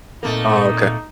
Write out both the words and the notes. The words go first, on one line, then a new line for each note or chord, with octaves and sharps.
Oh, okay.
A#2 A3 A#3 C4 D#4 A#4